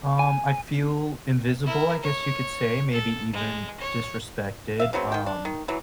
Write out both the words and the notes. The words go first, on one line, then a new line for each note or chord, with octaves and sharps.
Um, I feel invisible, I guess you could say, maybe even disrespected, um
G#5
E4 A#4
C#5
A4
G#3
C#5
E5 F5
C#3 F#3 B3 C4
D#3 G5
D4
D#3
E3 F#3